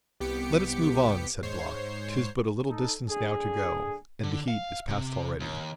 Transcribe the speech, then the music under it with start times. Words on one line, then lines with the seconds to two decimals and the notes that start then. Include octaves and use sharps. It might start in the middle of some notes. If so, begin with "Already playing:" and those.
'Let us move on,' said Block; 'tis but a little distance now to go, and the heat is past already.
0.20 C2 B3 G4 D6 B6 C#7
1.43 G#2 C5 C#5 C7
2.70 D#4 A4
3.09 D3 G#4
4.23 D3
4.48 F5
4.89 C3
5.40 D#2